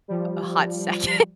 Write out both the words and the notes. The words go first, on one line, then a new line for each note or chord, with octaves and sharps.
a hot second,
F3 G3